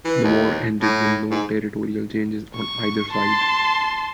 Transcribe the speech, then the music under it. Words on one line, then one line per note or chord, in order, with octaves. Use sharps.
The war ended with no territorial changes on either side.
E3
D#2
A2
G#2
C#6
A5 C6